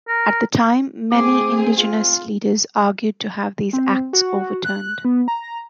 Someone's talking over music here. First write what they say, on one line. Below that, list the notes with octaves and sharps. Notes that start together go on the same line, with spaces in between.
At the time, many Indigenous leaders argued to have these acts overturned.
A#4
A3 C4 G#4 D6
F4
C4
F#4
F#6
B3
A#5